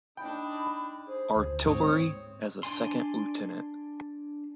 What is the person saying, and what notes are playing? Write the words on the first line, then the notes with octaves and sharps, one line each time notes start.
Artillery as a second lieutenant.
D4 D#4 G5 B5
G#4 C5
D2
G#2 C4 C#5 D#6
D4 D5 G#5 C6